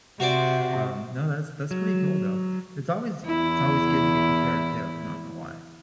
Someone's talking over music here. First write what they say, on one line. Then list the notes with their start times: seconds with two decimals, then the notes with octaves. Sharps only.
um, no, that's that's pretty cool, though. It's always g it's always good to be prepared too, I'm not gonna lie
0.20 C3 F#4 C5 D5
1.71 F#3
3.25 E2 E4